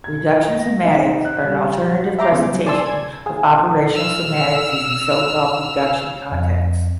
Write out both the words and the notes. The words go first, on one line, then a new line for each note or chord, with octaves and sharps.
Reduction semantics are an alternative presentation of operational semantics using so-called reduction contexts.
G#6
D#5
A#6
D#4
F#6
G3
F#4
E5 G5 A#5 C6 D6
C#3 G#3 B3
F#3
D5 G#5 A5 C6 E6
G#6
G#4
E6 F6
F2